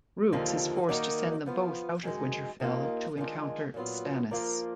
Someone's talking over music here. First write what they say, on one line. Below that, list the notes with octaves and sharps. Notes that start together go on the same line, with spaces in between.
Roose is forced to send them both out of Winterfell to encounter Stannis.
D#2 D3 F3 A#3 F4
D#3 A#3 D#4 F#4 D5
F3 B3 F4
F#2 D#3 G#3
D#2 D#3 A#3 F4
D#3 G#3 D4 F4
A#2 F#3 B3 F4
F3 A#3 F4 A#4 D5